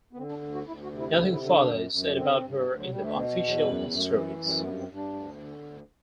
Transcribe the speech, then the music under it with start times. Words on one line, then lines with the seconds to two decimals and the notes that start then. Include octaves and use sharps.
Nothing further is said about her in the official histories.
0.13 B3
0.17 D3 C4
0.30 D4
0.41 D2
0.54 F#4
0.66 D2 E4
0.83 F#4
0.92 C3
1.00 E4
1.16 D3 E4
1.33 E4
1.41 D3
1.50 D4
1.65 F#2
1.91 F#2
2.15 D3 C4
2.40 G2
2.65 D2
2.78 F#3
2.89 D2 G3
3.03 A3
3.15 B2 B3
3.31 F#3
3.40 E2
3.48 F#3
3.64 F#2 G3
3.81 G3
3.88 F#2
3.98 A3
4.08 A3
4.13 E3 B3
4.30 A3
4.38 F#2
4.46 G3
4.59 A3
4.63 G2 B3
4.79 C4
4.88 G2
4.96 D4
5.13 D2
5.38 D3
5.63 D2